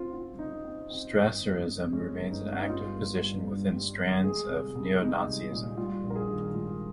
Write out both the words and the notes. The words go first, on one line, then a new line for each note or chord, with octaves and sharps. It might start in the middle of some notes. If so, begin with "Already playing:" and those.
Strasserism remains an active position within strands of neo-Nazism.
Already playing: C#3 C4 F4
C4 F4
C#3 D#4
C4
C4
G1
G1
C#3
G#3 C#4
G1
D#4
G#3
C#4
D#4
G3 F4
A#3
G3
G2
G3
G#1
G#3 G#4
C2
C2
G#3 D#4
C2
A#2
G3 F4
A#1
A#4
G#4
D#3
G#2 F4